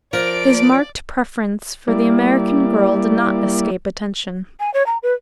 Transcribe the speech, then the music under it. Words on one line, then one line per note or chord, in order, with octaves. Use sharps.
His marked preference for the American girl did not escape attention.
F3 A#4 D5 D7
G3 A#3 E4 D5
G#5
C#5
A#5
B4